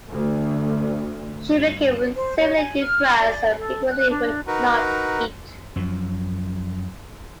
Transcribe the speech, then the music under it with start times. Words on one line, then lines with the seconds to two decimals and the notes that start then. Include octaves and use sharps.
She became severely depressed, and frequently would not eat.
0.12 D2
1.50 G2
2.15 C5
2.38 C#5
2.56 G#5
2.80 F6
3.20 D5
3.57 A4
3.89 F#6
4.09 D4
4.47 D#4 F#4 A#4 B4
5.76 F#2 F3